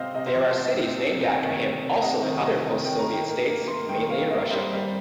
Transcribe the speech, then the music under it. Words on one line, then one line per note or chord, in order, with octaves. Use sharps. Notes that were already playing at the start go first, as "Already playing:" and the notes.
There are cities named after him also in other Post-Soviet states, mainly in Russia.
Already playing: C3 C4 C5 D#5 F5
C3 D#5
C5
F3
C5
C3
C4
C3
C3
D#3
C3
C3
C3 D#5
D#3
C3 D#5
D#3
D#3 G5
A#5
A#3
G5
A#3
A#3
A#3 C6
D#3 G5
A#3 F5
A#3 D#5
G3 C5
G3